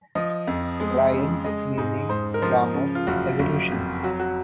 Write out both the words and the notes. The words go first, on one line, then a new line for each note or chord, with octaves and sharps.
Brain, Meaning, Grammar, Evolution.
F3 D#5
F2
G#3
C#3
G#3 D#5
G#2
G#2 C5
A#4
F3 C5
C#3
F4
F#1 F#4
F#1
F2
F#3 F#4
F#4